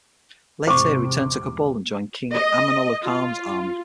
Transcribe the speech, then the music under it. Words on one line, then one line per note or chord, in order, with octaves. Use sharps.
Later, he returned to Kabul and joined King Amanullah Khan's army.
E2 G#2 C3 C5 C#6 D6
D#5
F4